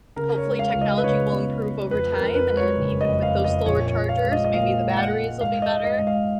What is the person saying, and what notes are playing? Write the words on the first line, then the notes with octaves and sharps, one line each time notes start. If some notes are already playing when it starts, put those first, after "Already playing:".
hopefully technology will improve over time, and even with those slower chargers, maybe the batteries will be better,
C#3 A#4
C#5
G#3
F5
C#2
D#5
B4
C#3 C#5
B3
B3
F2 B4
A#4
F2
B4
G#3
C#5
F#1
D#5
F2
D#5
F5
F2
D#5
A#1 C#5
C#5
F3
F5
G#3
D#5
D#5
A#2 F5
G#3
F#5
G#3
G#2 F5
D#5
G#3
D#5
G#2
F5